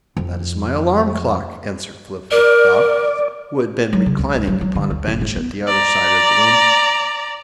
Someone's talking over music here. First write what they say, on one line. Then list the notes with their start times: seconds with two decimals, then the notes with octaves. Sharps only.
"That is my alarm clock," answered Flippityflop, who had been reclining upon a bench at the other side of the room.
0.17 F2
2.31 A#4 D5
3.93 F#3
4.06 C#3
4.19 C#2
4.35 D2
4.47 F#3
4.61 F#3
4.75 D3
4.91 D2
5.07 F#1
5.21 G#2
5.36 B3
5.68 D5 A#5